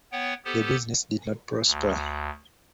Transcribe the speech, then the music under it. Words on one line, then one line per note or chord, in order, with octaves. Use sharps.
The business did not prosper.
B3 C#5 F#5 G5
B3 G4 A4 C5
D2